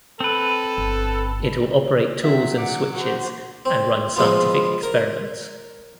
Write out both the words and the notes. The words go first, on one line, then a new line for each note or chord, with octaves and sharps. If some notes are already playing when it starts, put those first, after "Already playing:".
It will operate tools and switches and run scientific experiments.
C4 A4 B4
G1
F#3 C4 E5
F#5 D6
F#4 C5
C4
F3 G#3 B3 F4
A#4